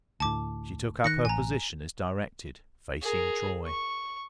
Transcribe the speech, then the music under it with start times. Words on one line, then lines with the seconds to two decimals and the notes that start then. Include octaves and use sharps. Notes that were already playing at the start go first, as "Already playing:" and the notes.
She took up her position as directed, facing Troy.
0.20 D2 A2 A5 D6
1.04 D#3 F#6 A#6 C#7
1.25 A1 G#5 A#5
3.03 G#4 A#4
3.66 C#6